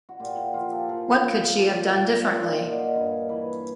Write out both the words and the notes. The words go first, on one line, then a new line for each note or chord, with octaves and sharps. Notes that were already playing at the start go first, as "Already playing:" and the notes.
What could she have done differently?
F#4
A#2 F4 G4
F#4 G#4
F3 F4 G4
G4 A4
F3 G#4 A#4
F3
F3
A#2
A#2 A#4 C5 C#5
D5 E5
A#2 D#5 F5
F#5
D#5 F5
G2 C#5 D#5
E3 B4 C#5